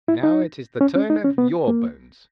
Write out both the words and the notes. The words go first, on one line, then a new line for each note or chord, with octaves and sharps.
Now it is the turn of your bones.
E4
D#4
C#4
C#4
D#4
C#4
B3
A#3